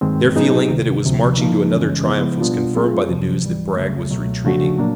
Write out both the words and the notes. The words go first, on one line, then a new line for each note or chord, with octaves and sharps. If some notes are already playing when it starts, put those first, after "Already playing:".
Their feeling that it was marching to another triumph was confirmed by the news that Bragg was retreating.
G2 D#3 G#3 C4
A2 F#3 B3 D#4 G#4
D2 C3 D#3
D2 C3 F3
C#3 F3 A#3 D#4
F#2 C#3 E3 G#3 C#4
C#3 F3 G#3 B3 E4
B2 G3 B3 D4 F4
F#3 A3 C4 F4 G#4
D2 C3 F3
G#2 E3 G3
D2 C#3 F#3 A3
C#2 B2 F#3 A3
C#3 F3 A3 D4 F#4
A#2 F#3 A#3 D4